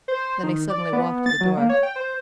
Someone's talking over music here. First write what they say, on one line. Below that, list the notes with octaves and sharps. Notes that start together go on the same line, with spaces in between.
Then he suddenly walked to the door.
C5
D#3
D5
B3
A6
F#3
A#3
C#5
G5
C5